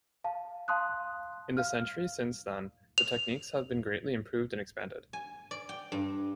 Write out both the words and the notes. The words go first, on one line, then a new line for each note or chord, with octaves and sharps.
In the century since then the techniques have been greatly improved and expanded.
F5 A5
F5 A5 C6 D#6 F#6
F5 F6
F7
G#5
D5
G5
G2